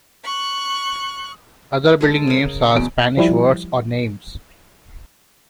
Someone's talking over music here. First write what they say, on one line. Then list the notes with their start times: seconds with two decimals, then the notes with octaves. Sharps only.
Other building names are Spanish words or names.
0.25 C#6 F#6
2.01 G#3 A4 A#4
2.27 C#3 A#4
2.74 E2 B2 D7
3.17 F3 G3 E4